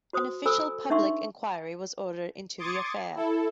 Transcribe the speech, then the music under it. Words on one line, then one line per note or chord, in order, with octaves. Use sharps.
An official public enquiry was ordered into the affair.
F#4 C5 D#6
A4 C5 G#5 B5 E6
D4 D#4 E5 F#5 C6 C#6
C6 D6 D#6 G#6 A6 C#7
E4 A4